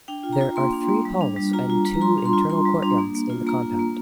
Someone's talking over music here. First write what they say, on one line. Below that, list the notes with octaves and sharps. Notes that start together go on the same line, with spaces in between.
There are three halls and two internal courtyards in the compound.
D4 G5
F4
A#5
F4
A#3 C6
D4
A#3
G3
D4
G3
F4 A#5
F4
G3
A#5
F4 C6
D4
C6
F4
F4 C6
G3
D4
A#3
A#3
F4
A#3 A#5
F4
A#3